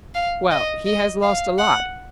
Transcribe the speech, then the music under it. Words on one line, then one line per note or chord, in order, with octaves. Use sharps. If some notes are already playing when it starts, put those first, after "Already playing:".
Well;--he has lost a lot.
F5
D#5
D#5
F5
F#5